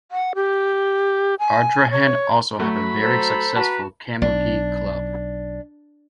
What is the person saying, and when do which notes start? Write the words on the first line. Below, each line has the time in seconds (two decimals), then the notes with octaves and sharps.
Ardrahan also have a very successful Camogie club.
0.11 F#5
0.35 G4
1.39 G#5
1.90 C#5
2.59 F#3 A3 F#4 B5
3.01 A4 C5 A#5
3.56 F#4 B4 A5 A#5
4.22 B1 D4